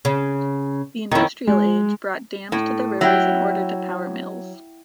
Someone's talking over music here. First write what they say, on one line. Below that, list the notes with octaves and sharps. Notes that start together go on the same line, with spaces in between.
The Industrial Age brought dams to the rivers in order to power mills.
C#3
F2 D#3 C#4 E4
G#3
A2
F#3 E4 G5